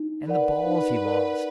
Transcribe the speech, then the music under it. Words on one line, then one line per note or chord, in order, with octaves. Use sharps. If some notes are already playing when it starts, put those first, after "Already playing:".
And the balls he lost!
Already playing: D#4
A#4 B4 D5 F#5
D#4
A#4 D5 F#5